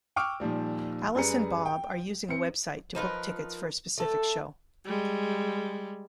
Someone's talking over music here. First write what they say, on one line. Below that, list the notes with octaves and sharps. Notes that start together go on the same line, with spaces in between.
Alice and Bob are using a website to book tickets for a specific show.
G5 C#6 D6 E6 F6 D7
A#2 D#3 F3 G3
F#2 G3 G#4 B4 A#5 C#7
G5
C4 C#7
F3 D#4 A#4 B4
A3 A4
G3 G#3